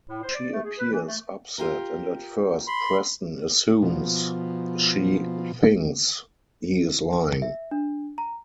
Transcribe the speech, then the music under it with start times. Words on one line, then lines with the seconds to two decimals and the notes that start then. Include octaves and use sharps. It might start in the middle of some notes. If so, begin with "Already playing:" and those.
She appears upset and at first Preston assumes she thinks he is lying.
0.08 A2
0.22 C5
0.34 D5
0.52 A3
0.64 G#4
0.78 B4
0.92 E3
1.07 A3
1.58 F4 G4 A#4
2.67 B5 C6
3.82 B2 F3
7.42 E5
7.71 D4
8.18 A#5